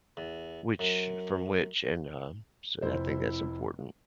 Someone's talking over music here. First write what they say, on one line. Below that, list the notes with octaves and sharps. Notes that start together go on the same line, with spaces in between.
which from which and, uh, so I think that's important.
E2
F#2
F1 E4 C5